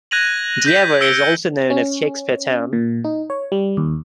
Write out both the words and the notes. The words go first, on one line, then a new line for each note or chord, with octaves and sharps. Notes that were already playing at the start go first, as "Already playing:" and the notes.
Diever is also known as "Shakespeare-town".
F#6 G#6 A#6 D#7 F7 F#7
F#6 G6 B6
E6 B6 C#7 D7 G7
C#4
A#2
D#4
C#5
G3
D#2